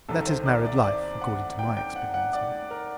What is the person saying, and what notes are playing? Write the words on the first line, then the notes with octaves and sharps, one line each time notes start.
That is married life, according to my experience of it.
C2 C3 D#3 A4
C5
D5
D5
D5
F#5
G5
G5
F#5
F#5
D5
A#4